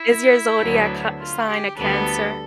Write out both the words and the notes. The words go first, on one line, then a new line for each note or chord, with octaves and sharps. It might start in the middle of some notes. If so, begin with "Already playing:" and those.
Is your zodiac h sign a Cancer?
Already playing: E4
D2 D3 F#3 B3
F4
G4
D2 D3 G3 B3 A4